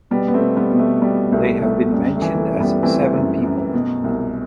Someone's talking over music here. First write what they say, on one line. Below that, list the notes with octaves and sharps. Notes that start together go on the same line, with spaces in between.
They have been mentioned as seven people.
B2 G3 B3
B3
A3 C4
B2
G3 B3
B2
A3
B2 G3
C2 A3
C2 A3
F#2 G3
A3
E3
A3
F#2
G3 B3
E3 A3 C4
F#2
F#2
B2
C2